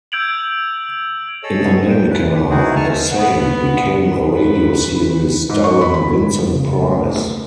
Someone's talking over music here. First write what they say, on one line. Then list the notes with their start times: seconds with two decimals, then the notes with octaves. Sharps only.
In America, "The Saint" became a radio series starring Vincent Price.
0.12 E6 G6 G#6 D7 F7 F#7
1.43 G#4 A4 C#5 D#5 E6
1.90 G5
2.10 B4
2.50 D#3 D#4 E4 F#4 G#4
2.76 G#5 A5 C#6 F6
3.12 B3 F#5
4.34 B4
5.49 G#2
5.64 C#6
5.81 B5
5.94 B5
6.08 E3
6.55 C#3
6.82 A3